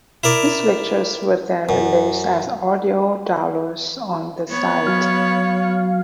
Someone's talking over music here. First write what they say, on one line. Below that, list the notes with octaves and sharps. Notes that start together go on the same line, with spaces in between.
These lectures were then released as audio downloads on the site.
E4 A#4 D5
F#2
B3 C#5
F#3 F5